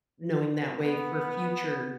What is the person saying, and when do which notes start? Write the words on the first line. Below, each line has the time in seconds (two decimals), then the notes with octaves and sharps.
knowing that way for future
0.82 B3